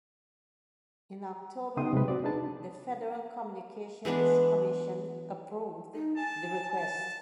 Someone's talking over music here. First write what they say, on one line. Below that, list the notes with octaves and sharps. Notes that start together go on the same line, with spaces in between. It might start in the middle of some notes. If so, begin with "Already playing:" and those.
In October, the Federal Communications Commission approved the request.
C#3 B3 D#4 G5 C6 D#6
C3 F#3 G#3 B4
C4 F#4 D5
D4 D#4 G#4 B4 A5
E3 G#3 B3 D4
D#4
G#5 A5
A5